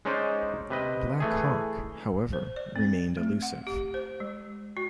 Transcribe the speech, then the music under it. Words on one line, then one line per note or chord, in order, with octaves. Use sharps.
Black Hawk, however, remained elusive.
G#3 C#4 D#4 C5 D5
C3 B4 D#5
E3 A3 G#4
C5
D5
C4
A3
F#5
G4
C5
G#3
F#4